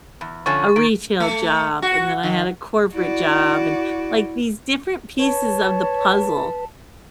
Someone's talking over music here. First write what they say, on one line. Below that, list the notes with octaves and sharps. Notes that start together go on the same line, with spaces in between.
a retail job, and then I had a corporate job, and, like, these different pieces of the puzzle,
E2
D3 F3 C#4 C#6 A6
D#3 D7
A3
F#4
D#3
E4 F#4 D5
B4 C#5 A5